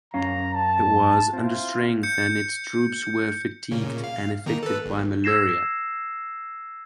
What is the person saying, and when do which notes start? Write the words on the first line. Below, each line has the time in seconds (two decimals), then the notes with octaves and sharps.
It was understrength and its troops were fatigued and affected by malaria.
0.14 F#2 C#4 F5 A#5
0.54 A5
1.33 C4 E4 F4
2.03 G6 C#7
3.71 A#2 C#3
4.04 F5
4.46 D#3 A#3 A#5
4.63 A4 B4
4.86 G1
5.24 E6 G#6 A#6 C7 E7